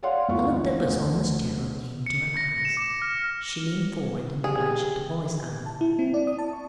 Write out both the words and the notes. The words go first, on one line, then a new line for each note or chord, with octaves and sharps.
A look that was almost terror came to her eyes. She leaned forward and clutched the boy's arm.
C#5 D5 F5 F#5 C6
G1 D2 G#3 E4 F4 C#6
E2
D2
C#7
A#6
E7
D6
F6
G4 G#4
A5
E4
C4
D5
D#6
A5
C#6